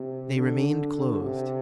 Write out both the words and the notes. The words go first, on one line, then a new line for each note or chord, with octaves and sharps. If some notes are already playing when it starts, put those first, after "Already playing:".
They remained closed.
Already playing: C3
D3
C3